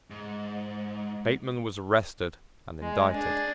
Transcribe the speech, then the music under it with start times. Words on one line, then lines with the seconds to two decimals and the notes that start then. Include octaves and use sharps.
Bateman was arrested and indicted.
0.10 G#2
2.82 G#3
3.12 D4 G#4